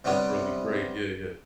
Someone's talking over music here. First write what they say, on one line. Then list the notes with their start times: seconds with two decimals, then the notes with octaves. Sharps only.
that's really great, yeah, yeah.
0.04 C3 G3 B3 D4 C#5 F#5